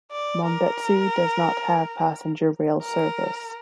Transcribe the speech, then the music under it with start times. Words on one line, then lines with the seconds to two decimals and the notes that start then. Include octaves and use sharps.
Monbetsu does not have passenger rail service.
0.11 D5
0.45 A#4
2.83 A#4